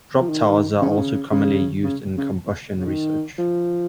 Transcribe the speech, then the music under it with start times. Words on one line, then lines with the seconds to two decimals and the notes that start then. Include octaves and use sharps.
Drop towers are also commonly used in combustion research.
0.20 F3
0.29 D#3
0.81 C#3
0.90 D#3
0.97 C#3
1.32 C#3
1.84 C#3
2.18 C#3
2.79 C#3
2.87 D#3
3.38 F3